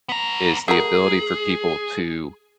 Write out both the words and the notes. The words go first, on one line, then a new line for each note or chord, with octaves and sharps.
is the ability for people to
B3 A#5
A3 F#4 G#4 A#4